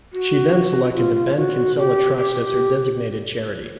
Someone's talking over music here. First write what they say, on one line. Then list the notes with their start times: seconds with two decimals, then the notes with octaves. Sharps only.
She selected the Ben Kinsella Trust as her designated charity.
0.13 F#4
0.95 F4
1.36 F#4
1.76 G4
2.17 G4